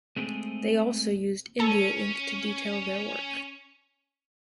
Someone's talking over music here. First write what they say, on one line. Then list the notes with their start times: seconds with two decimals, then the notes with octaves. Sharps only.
They also used India Ink to detail their work.
0.16 G#3 A3 C4 G4 G#4
1.60 C#4 A4